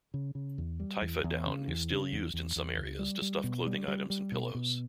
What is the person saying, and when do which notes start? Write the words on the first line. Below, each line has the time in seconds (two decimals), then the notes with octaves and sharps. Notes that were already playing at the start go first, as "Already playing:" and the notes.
"Typha" down is still used in some areas to stuff clothing items and pillows.
0.14 C#3
0.35 C#3
0.58 E2
0.80 G3
1.02 E2
1.24 E2
1.46 C#3
1.68 E2
1.90 C#3
2.12 E2
2.34 E2
2.56 E2
2.78 C#2
2.99 G3
3.22 G3
3.44 B2
3.66 G3
3.88 G3
4.10 G3
4.32 B2
4.55 B2